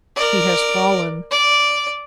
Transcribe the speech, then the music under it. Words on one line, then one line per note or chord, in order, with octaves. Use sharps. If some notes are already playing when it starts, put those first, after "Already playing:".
He has fallen.
A#4 D5
D5